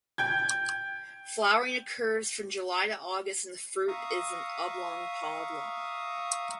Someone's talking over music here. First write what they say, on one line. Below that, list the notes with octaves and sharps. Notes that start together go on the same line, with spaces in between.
Flowering occurs from July to August and the fruit is an oblong pod long.
G5 G6 G#6
E5 F5 A#5 C#6 D#6